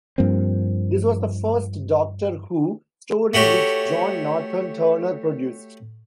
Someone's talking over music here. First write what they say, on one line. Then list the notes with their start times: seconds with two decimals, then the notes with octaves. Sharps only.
This was the first "Doctor Who" story which John Nathan-Turner produced.
0.18 G2 F3 A#3 C4
3.33 A3 F#4 G4 C#5